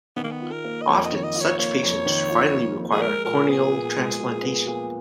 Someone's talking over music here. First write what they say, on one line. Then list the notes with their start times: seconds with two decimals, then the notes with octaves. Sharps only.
Often, such patients finally require corneal transplantation.
0.16 D#3 B3
0.24 A#3
0.31 B3
0.40 F4
0.52 A#4
0.64 A#3
0.82 D#5
0.88 F2 C#5
1.05 D#5
1.12 D#3 C#5
1.23 D#5
1.35 F4
1.41 C#5
1.59 A#3 C#5
1.83 F2
2.06 D#3
2.29 F4
2.54 A#3
2.77 F2
2.92 G#4
3.01 G#3 A#4
3.24 A#2 A#4
3.48 B3 G#4
3.71 A#2
3.96 G#3
4.19 A#2
4.43 B3
4.67 A#2